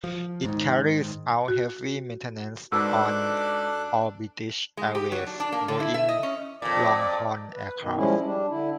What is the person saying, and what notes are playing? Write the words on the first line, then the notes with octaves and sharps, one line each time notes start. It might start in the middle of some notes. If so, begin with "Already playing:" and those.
It carries out heavy maintenance on all British Airways Boeing longhaul aircraft.
F3
G#2 D#3
F#4
G#2 D4 F#4 A4 B4 D6 E6 F#6
G#3
G4
F#3
D4
D4
A#3
D3
E4
E5
D#5
C#4
F2 A#2 D5
B4
B2 D#3
F3 G3 G#3 C#4 E4
G3 D4
D3 E4